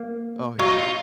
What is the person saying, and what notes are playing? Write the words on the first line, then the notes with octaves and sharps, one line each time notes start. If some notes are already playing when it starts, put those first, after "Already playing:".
Oh, yeah.
Already playing: A#3
F#3 F4
D#4
F4